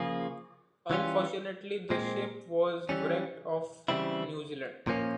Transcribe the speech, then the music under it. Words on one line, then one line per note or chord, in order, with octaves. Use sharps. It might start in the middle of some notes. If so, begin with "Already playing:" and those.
Unfortunately the ship was wrecked off New Zealand.
Already playing: C#3 F3 A#3 F4 G#4
E3 G3 C#4 F4
A#2 G#3 C4
E3 G3 C#4
C#3 E3 G3 C4 E4
A#2 F3 A#3 C#4